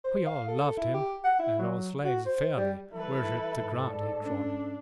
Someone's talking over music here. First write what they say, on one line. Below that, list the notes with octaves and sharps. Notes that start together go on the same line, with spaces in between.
We all loved him, and our slaves fairly worshipped the ground he trod.
C5
F5
A4
E4
G4
F#5
E4
F#3
F#4
C5
G3
E3 G3 E4 A4 B4 E5
G#2
D5
C#4 D4